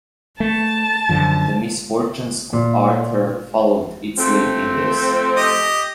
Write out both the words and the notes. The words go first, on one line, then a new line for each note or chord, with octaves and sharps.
"The Misfortunes of Arthur"-followed its lead in this.
A3 A5
F#2 D3 F3
A#2
F3 A3 C4
G4 D#5